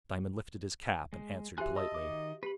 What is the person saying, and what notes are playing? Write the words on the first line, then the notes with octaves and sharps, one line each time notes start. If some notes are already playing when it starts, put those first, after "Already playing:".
Diamond lifted his cap, and answered politely.
G#3
E3 F#4 G4 E5 G#5 F#6
D#5 A5 D#6 E6
D#3 D6
G4 B4 B5